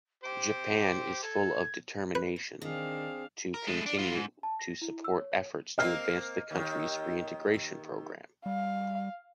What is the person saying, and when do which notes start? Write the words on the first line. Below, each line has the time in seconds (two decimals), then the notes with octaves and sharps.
Japan is full of determination to continue to support efforts to advance the country's reintegration program.
0.23 G4 C5 D7
1.23 A4 G#6
2.15 B4
2.62 D#3 C4 D4 G#4 F5
3.54 A#4
3.67 G#3 A3
3.86 D4
3.99 F#3 F4
4.15 G#2
4.43 A5
4.59 A#6
4.82 E4
5.04 E6
5.18 C#5
5.32 C#5
5.78 A#3 C4 D#5 F6 C7
6.51 D#2 D#3
8.46 G3 F5